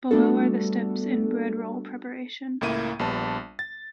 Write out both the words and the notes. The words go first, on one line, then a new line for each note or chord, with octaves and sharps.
Below are the steps in bread roll preparation.
G3 A3 B3 D4 F#4 A4
C#2 A2 A#3 E4 D#7
A#1 G3 B3 A5
A6